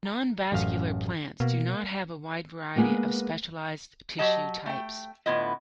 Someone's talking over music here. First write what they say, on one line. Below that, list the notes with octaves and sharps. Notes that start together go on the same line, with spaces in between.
Non-vascular plants do not have a wide variety of specialized tissue types.
A#5
A1 F#2 F5
B2 A#3
G#3 A#3 B3 G4 G#4
F#3 G4 D#5 A5
A3 G5
A2 D3 B3 E4 F4 D#5